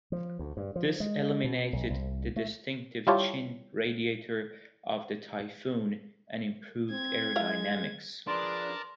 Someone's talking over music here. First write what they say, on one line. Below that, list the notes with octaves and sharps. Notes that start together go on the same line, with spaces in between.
This eliminated the distinctive "chin" radiator of the Typhoon and improved aerodynamics.
F3
D2
G2
F3
G#3
B2
B1
C2
A3
G3 E4 F4 G4 C#5 A5
C4 G#6
G#3 E4 F5 A#5
F3 D4 G#4 A#4 B4 D5 A5 C6